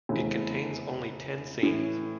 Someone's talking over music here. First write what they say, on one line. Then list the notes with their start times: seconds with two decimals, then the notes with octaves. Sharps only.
It contains only ten scenes.
0.09 F1 E2 C#3 E3
1.63 A2 E3 A3 C#4